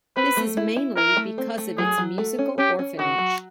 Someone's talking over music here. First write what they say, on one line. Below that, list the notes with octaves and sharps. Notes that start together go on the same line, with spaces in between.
This is mainly because of its musical orphanage.
C4 B4
A3
E4
E4
E4 A#4
A3
C4
A3
F#3 G#4
F#3
A3
C#4
C#4 G4
C#4
D#3 F#4
F#3